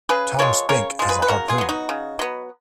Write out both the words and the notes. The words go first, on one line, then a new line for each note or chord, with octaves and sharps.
Tom Spink has a harpoon.
C#3 G#4 B4
F3 G#3 A#4 C#5
C#3 A#4 C#5
F3 G#3
G#4 B4
B4
C#3 F#4 A#4
F4 G#4
F#3 B3
D#4 F#4
C#3
F#3 B3